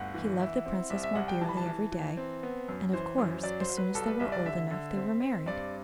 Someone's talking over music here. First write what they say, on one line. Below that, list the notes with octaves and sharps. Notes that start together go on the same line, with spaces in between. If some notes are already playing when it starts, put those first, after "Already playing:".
He loved the Princess more dearly every day, and, of course, as soon as they were old enough, they were married.
Already playing: G1 D2 F#5
E3
E4
C4
C2 E5
E5
C2 F#5
G5
E3 A5
B5
A5
E3
E3
C4
B3
F#2
E3 C5
F#2
F#3 D5
C5
F#3
B4
C2 A4
B4
C2 E5
D5
D3 E5
D3
C4
C4
G2 D5